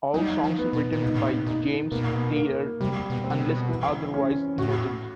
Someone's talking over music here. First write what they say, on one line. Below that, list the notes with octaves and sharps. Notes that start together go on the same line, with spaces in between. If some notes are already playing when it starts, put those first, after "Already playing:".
All songs written by James Taylor unless otherwise noted.
F#3 D#4
G3
F#3
F3
B3
B2
A#2
B2 D#4
A2
A#2
A#2 D#4
B2 A#3
A#2
B2
A#3
C3 G3
B2
C4
C3
B2
E3
C#4
A2 F#4